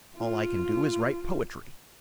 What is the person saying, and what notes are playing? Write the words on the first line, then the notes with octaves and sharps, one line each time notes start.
All I can do is write poetry.
F4